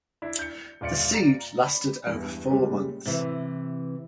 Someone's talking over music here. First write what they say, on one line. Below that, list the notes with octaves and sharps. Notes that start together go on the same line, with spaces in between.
The siege lasted over four months.
D4 E4
G6 C#7
D#1 F4 D5 C#7
D5 A#5
D5 B5
E2 G2
A#2 C#3 G3 G#3
C3 E3